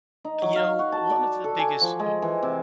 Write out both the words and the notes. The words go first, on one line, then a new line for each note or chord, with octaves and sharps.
You know, one of the biggest, uh,
D#4
F#3
F5
F#4
A5
D5
A4
G#5
F3
G#3
E3
C3